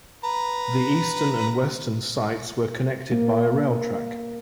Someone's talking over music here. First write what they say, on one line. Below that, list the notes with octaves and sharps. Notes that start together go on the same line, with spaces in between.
The eastern and western sites were connected by a rail track.
B4 A#5
A#3